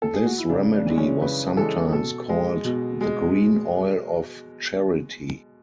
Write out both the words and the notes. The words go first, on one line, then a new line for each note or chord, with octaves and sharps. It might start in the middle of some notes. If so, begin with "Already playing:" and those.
This remedy was sometimes called the "Green Oil of Charity".
A4
G#4
F#4
E4
C#3 D4
D4
E3 G#3
C#4
C#3 B4
E3 G#3 A4
B2 A4
G#3
B2
G#3